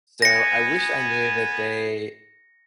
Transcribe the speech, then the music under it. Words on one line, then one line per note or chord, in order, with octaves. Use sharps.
So, I wish I knew that they
B3 G#5 A#6 C#7